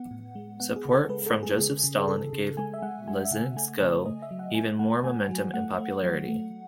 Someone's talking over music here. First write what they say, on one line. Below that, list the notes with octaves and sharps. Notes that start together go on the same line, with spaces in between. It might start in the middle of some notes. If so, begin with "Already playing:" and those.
Support from Joseph Stalin gave Lysenko even more momentum and popularity.
Already playing: B3 F#5
A2
G#3
B3 F#5
G#4
C#3
A4
G#3 B4
A4
G#3
G#4
C#3 G#4
C#3
C#3 A4
C#3
G#3 G#5
E5
G#3 F#5
G#3 G#5
E5
C#3 F#5
A3 G#5
C#3
A3 D#5
E5
F#3
F#5
A3 G#5
A3 F#5
A3 G#5
F#3
A3 F#5
A3
F#3
A3